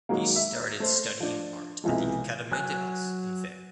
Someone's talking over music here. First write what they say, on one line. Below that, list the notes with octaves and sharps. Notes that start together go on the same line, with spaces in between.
He started studying art at the "Academie des Arts" in Fes.
D#3 F#3 G#3 A#3
E5
A3 C5
F3 D4
B1 C3 E3 F3 G#3
F#3 G#5 F#6